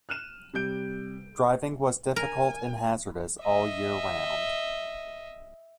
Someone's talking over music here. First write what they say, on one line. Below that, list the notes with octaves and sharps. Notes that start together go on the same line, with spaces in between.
Driving was difficult and hazardous all year round.
F6 F#6 D#7 E7
C3 G3 G6 D7
A#4 G#5
D#5 E5